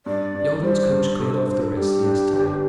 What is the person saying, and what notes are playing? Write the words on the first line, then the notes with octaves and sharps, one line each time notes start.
Yalden's coach cleared off the rest yesterday.
G2 D5
G2
G3 C5
G2
G2 A4
C5
G2 C5
A4
G3 G4
D4
G1